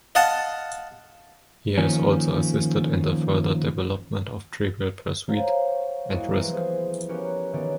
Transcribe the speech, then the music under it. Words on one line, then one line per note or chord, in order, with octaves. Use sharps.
He has also assisted in the further development of "Trivial Pursuit" and "Risk".
D#5 F5 F#5 A5
D#3 F3 A#3 C#4
C5 C#5 F5 F#5 A#5
G#3 A#3 E4 F#4
E3 F3 G3 B3
G#4 C5
B3 C#4 F#4 G4 A#4
D#3 E3 B3 C#4 D5